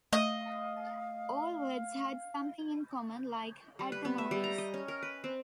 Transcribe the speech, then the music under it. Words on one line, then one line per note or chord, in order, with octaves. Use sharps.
All words had something in common, like "At the Movies".
A3 D#5 F5
G3
B4
B3
E5
G3
A#5
D#5
C#4
A#4
B4
C4